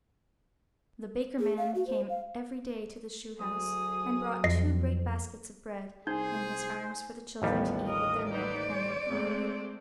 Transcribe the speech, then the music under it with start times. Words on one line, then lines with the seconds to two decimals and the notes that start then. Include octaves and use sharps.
The baker-man came every day to the shoe-house, and brought two great baskets of bread in his arms for the children to eat with their milk and their broth.
1.39 G#4
1.58 F5
1.75 F#4
1.87 C5
2.09 F5
3.40 D2 F#3 G#4 D#6
4.44 F2 D#5 A#6 C7
6.07 C2 D#4 G#4 C5 G#5 G6
7.42 A1 D#2 F3 G3 B3
7.88 A#4 D#5
8.31 D#4 B4 C5 D5
8.66 C5 C#5
9.08 G#3 A3 C4